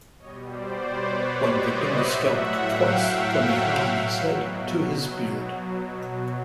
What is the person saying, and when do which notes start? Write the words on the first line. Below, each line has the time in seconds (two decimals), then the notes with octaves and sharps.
One victim was scalped twice, from the hair on his head, to his beard.
0.18 B2 G3 C#5 D#5
0.49 C5 D5
0.80 B4 C#5
1.11 C5 D5
1.42 C#5 D#5
1.73 D5 E5
2.04 A2 F#3 E5 F#5
2.50 F5 G5
3.89 B2 F#3